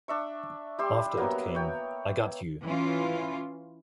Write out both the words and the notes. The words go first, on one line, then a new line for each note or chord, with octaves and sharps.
After it came "I Got You".
D4 E5 C#6
G3 G4 E5 C6
F#3 A#3 B3
C#5 G5
E3 C#4 F4